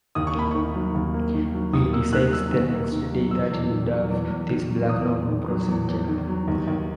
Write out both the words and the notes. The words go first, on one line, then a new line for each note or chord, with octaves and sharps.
He decides the next day that he would have this Black-No-More procedure.
D#2 D#6
C#6
A#3 B5
D#3 C#6
F#3
D#2
A#3
D#3
F#3
D#2 D#6
A#3 E6
D#3 F#6
F#3 E6
D#2
A#3
D#3
F#3
E2 E6
E2
D#3
F#3
E2
E2
D#3
F#3
E2 D#6
E2
D#3
F#3
E2
E2
D#3
F#3
D#2
D#2